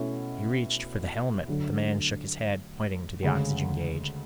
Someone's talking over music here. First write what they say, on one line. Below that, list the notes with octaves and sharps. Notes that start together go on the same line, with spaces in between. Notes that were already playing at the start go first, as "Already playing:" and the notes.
He reached for the helmet, but the man shook his head, pointing to the oxygen gauge.
Already playing: B2 A3 C#4 E4
D2 D3 F#3 A3 D4
D2 C#3 G#3